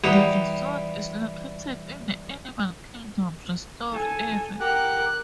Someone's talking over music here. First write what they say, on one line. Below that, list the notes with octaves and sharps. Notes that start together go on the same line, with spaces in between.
The resort is located in the Animal Kingdom Resort Area.
E3 G3 G4 F#5 A#5 D#6
A4 G#5
G4 A#4 F#5 G5 F#6